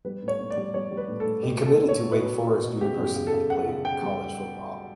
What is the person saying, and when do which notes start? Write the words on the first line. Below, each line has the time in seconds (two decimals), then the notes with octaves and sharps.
He committed to Wake Forest University to play college football.
0.05 G3 B4
0.22 A2
0.28 C#5
0.39 A2
0.50 D5
0.56 G3
0.74 G3 C#5
0.91 G3
0.97 B4
1.08 A2
1.20 A4
1.25 A2
1.43 B2 G4
1.60 B2
1.66 A4
1.77 B2
1.88 C#5
1.95 A3
2.12 B2 B4
2.30 B2
2.47 B2
2.64 B2
2.81 C#3 G4
2.98 F#2
3.04 G4
3.15 C#3
3.27 A4
3.33 C#3
3.50 C#3 F#5
3.67 C#3
3.85 C#3 G5
4.02 G3